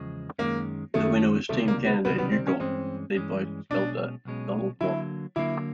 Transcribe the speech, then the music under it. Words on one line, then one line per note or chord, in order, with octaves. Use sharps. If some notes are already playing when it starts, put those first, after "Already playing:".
The winner was Team Canada - Yukon, led by sculptor Donald Watt.
Already playing: E2 C#3 F3 G#3
F#2 D#3 G#3 A#3 C#4
F#2 D#3 G#3 A3 C#4
C#2 C3 D#3 G3 A3
A#3
B3
C#2 C3 D#3 G3 B3
B3
C4
C#4
G2 E3 G#3 C4 C#4
G2 E3 G#3 C#4
B1 B2 G#3 C#4 D4
B1 B2 G#3 C#4
D3 F#3 A#3 E4
D3 F#3 A#3 E4